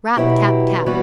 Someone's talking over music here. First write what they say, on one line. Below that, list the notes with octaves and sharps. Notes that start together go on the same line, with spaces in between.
Rap! tap! tap!
B2 F#3 B3 E4 G4
E3 G3 B3 F#4